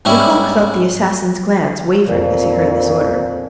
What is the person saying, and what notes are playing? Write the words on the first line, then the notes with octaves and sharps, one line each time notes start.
Lecoq thought the assassin's glance wavered as he heard this order.
G#2 G3 C#4 E4
F2 A#2